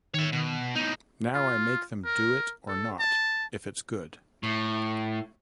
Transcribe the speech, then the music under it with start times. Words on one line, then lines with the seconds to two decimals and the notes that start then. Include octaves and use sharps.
Now I make them do it or not, if it's good.
0.14 D#3 C#5 E5
0.32 B2
0.75 A2 B3 D#4
1.35 F4
2.05 A#4
2.68 A4
3.00 A5
4.43 A2